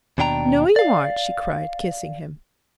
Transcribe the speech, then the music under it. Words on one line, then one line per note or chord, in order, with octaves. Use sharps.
"No, you aren't," she cried, kissing him.
D#2 B2 D4 G5 A#5
D5 F5